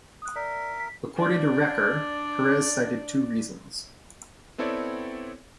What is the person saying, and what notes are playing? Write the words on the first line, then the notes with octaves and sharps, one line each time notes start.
According to Reker, Perez cited two reasons.
D#6 F#6
A#4 D5 E5
B6
D4 D5
B3 C4 E4 A4 C#5 D5